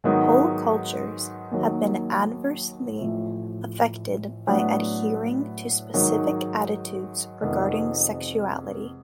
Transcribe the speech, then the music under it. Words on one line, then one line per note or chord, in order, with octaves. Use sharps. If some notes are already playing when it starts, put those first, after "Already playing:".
Whole cultures have been adversely affected by adhering to specific attitudes regarding sexuality.
G#2 D#3 F#3 B3 D#4
D#2 D#3 F#3
A1 A2 F3 A3
A2 F#3 B3 D4
G#2 D#3 F#3
F2 C3 D#3 G#3 B3